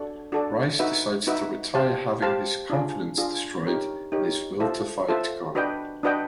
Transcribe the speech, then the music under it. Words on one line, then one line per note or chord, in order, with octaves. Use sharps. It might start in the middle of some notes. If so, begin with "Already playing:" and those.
Reiss decides to retire having his confidence destroyed and his will to fight gone.
Already playing: D4 F#4 A4 D5
D4 F#4 A4 D5
D#4 F#4 B4 E5
D#4 F#4 B4 E5
G4 C5 F5 A5
G4 C5 F5 A5
D4 F4 G#4
D4 F4 G#4
D#4 G4 A#4 C#5
D#4 G4 A#4 C#5
F4 A4 C5 E5
F4 A4 C5 E5
D4 F#4 B4 D#5 G5
D4 F#4 B4 D#5 G5